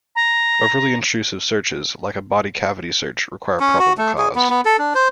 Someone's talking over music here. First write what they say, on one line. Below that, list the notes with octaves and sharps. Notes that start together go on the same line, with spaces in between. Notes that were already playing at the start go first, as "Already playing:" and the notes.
Overly intrusive searches, like a body cavity search, require probable cause.
A#5
C#4
F#4
A3
G#4
B3
B3
A4
D4
C5